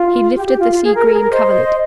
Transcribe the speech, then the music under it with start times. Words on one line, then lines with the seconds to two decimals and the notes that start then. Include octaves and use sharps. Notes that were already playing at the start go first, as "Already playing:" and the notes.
He lifted the sea-green coverlet.
Already playing: F4
0.35 G4
0.47 G4
0.59 F4
0.72 F4
0.83 G#4
0.95 A#4
1.07 A#4
1.14 G#4
1.19 A#4
1.32 C5 D#5